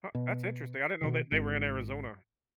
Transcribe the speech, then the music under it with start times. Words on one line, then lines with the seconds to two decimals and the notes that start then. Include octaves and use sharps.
Huh, that's interesting. I didn't know that they were in Arizona.
0.15 B2
1.01 B2 D3 D#3
1.32 G#1